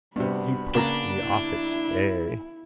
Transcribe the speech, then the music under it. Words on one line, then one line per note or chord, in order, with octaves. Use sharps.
He put me off it. Ay.
G2 C3 B3 D4 F#4 B5
C#3 A#3 D4 F#5 A#5
E4